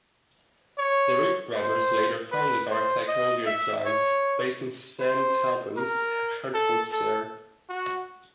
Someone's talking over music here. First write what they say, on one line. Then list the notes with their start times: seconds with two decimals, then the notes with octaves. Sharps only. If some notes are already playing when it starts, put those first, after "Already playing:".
The Ripp brothers later founded R-Tec Auto Design, based in Saint Albans, Hertfordshire.
0.78 C#5
1.55 C5
2.32 B4
2.71 C5
3.08 D#5
3.47 E5
3.86 C#5
5.00 C5
5.77 A#4
6.54 A4
6.92 A4
7.69 F#4